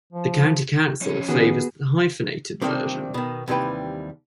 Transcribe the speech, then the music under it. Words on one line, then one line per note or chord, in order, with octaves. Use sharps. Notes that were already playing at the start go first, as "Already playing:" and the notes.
The County Council favours the hyphenated version.
F3
F2 C#4
D#3 B3 F#4 G#4
C3 D#3 G3 A#3 C4 D4
B2 D#3
D#2 C3 E3 G3 B4 G5